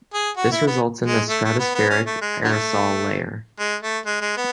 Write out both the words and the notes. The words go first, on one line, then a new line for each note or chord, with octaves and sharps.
This results in the stratospheric aerosol layer.
G#4
F#4
E4
B3
G#3
A3
A3
B3
B3
C#4
A3
G#3
D3 F#3 A3
G#3
A3
G#3
G#3
B3